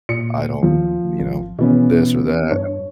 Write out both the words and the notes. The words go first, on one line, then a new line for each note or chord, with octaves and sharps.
I don't you know, this or that."
A#2 C#7
D#2 F3
G#1
B2 E3 B3 C#4
G2 C#5